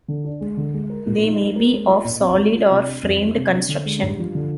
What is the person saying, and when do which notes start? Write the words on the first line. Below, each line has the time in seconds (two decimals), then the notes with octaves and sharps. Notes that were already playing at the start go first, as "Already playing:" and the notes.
They may be of solid or framed construction.
0.08 D3
0.24 D4
0.41 G#3
0.57 D3
0.74 G#3
0.90 A#4
1.07 A#2
1.23 D#4
1.39 G#3
1.56 A#4
1.72 G#3
1.88 F4
2.04 A#2
2.21 C4
2.37 G#3
2.55 F4
2.71 C3
2.86 D4
3.03 F2
3.20 G3
3.36 C3
3.53 D4
3.69 D3
3.85 G#3
4.03 G2
4.19 F3
4.35 D3